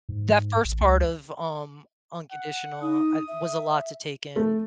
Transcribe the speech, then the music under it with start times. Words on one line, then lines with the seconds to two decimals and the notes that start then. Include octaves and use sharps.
That first part of, um, unconditional I was a lot to take in.
0.09 G#2
0.65 A1
0.80 C#2
2.31 F#5
2.82 D#4 D#6
3.28 E5
4.36 A3